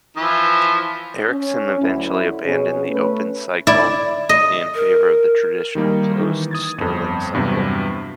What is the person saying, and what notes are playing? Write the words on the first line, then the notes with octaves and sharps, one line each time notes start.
Ericsson eventually abandoned the open cycle in favor of the traditional closed Stirling cycle.
E3 F3 E6
C#4
D2 F#3 E4
B2 C#4 G#4
A3 C#4 B4
E4 D5
D#5
A#4
D#3 G3 A#3 D#4
D#3 E3
D#6 G#6 A6
G1 F2
E2 G2 C3 F#3 B3